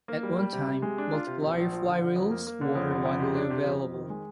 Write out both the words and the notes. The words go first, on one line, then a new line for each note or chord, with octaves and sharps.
At one time, multiplier fly reels were widely available.
A#3
G3
G3
C3
C3
G#3
D4
F4
C3
A#1
A#1
F3
D3
D3
F2
A#3
A#3
D3
F2
D3
F2
C3
D4
C3
F2
F2
D#3
G#3